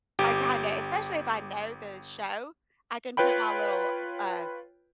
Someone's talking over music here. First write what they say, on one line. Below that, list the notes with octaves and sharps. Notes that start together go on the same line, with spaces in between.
I kinda especially if I know the show, I can put my little, uh,
G1 G4 G5
F4 B4 C#5 G5 B5